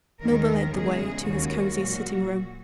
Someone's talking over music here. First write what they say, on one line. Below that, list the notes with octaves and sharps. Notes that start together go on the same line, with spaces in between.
Milburgh led the way to his cosy sitting-room.
D#2 D#3 G#3 A#4
E2 C#3 G#3 G#4
D#2 C#3 G#3 F#4
A#2 F#3